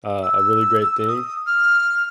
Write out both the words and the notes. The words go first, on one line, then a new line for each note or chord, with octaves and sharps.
uh, a really great thing.
E6
D#6
F6